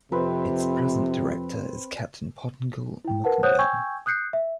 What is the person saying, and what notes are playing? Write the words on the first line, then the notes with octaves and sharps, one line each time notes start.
Its present director is Captain Pottengal Mukundan.
F2 C3 C4 B4
E4 G5
A#4 B4 F#5 A5
C5 C#5 F#5 D#6 F#6 G6
G5 G#5 C#6 E6 G6 G#6
D#6 F#6 G6 C7 C#7
E5